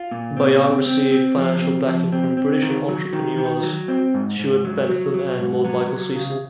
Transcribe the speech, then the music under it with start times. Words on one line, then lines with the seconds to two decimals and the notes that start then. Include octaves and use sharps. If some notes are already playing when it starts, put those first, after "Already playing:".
Bayat received financial backing from British entrepreneurs Stuart Bentham and Lord Michael Cecil.
Already playing: F4
0.11 A#2
0.37 C4
0.61 C4
0.86 C4
1.12 C4
1.37 F3
1.62 C4
1.87 F3
2.12 C4
2.37 C4
2.62 D#3
2.89 F#3
3.13 D#3
3.38 D#3
3.63 F#3
3.88 C4
4.14 G#2
4.40 G#2
4.65 F#3
4.89 F#3
5.14 F#3
5.39 G#2
5.65 F#3
5.90 F#3
6.16 C#3